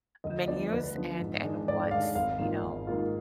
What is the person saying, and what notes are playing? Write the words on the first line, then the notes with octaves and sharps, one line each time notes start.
menus, and and what's, you know
D2 D#5
D3 F3 B3 D5
D2 B4
D3 F3 B3
G#2
D#3 G#3 D4
G#2 D5
D#3 G#3 D4 F5
G#1 F5
G#2 D#3 A#3 F4
G#1
G#2 D#3 A#3 F4